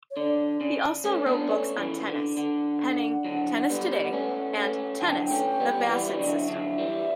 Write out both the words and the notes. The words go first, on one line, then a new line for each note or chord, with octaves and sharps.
He also wrote books on tennis, penning "Tennis Today" and "Tennis: The Bassett System."
C#5
D3 D5
C#3
A3 C#4
B3 D4
A3 C#4
C#3 E3
D3
D3 F#5
D3 F#3
G3 B3
A3 C#4
A3 C#4
D3 F#3 A5
G5
F#5
G5
A3 C#4
G3 B3
F#3
E3 G3 F#5
E5
E3
D3 F#3 D5
E5
D3 F#3
E3 G3